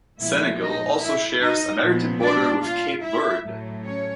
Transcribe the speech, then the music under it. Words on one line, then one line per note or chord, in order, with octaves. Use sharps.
Senegal also shares a maritime border with Cape Verde.
A#2 F3 G#3 B3 E4 E5
D#4 D#5
E4 E5
D#4 D#5
A#2 F3 G#3 B3
D4 D5
F4 F5
E4 E5
A2 F#3 A3
C#4 C#5